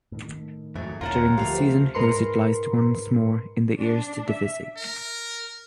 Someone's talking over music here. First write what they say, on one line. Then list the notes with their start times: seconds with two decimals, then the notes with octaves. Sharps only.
During the season he was utilised once more in the Eerste Divisie.
0.12 A2 D#3
0.76 F2 G#2 F#3 A3
1.01 D#1 D#2 C#4 F4 A#4 F#5 A5
1.37 D2 F3 A3 G4 F5
1.54 C5
1.94 G#2 A#4 B4 C6 C#7
3.77 D4
4.28 E5
4.77 A#4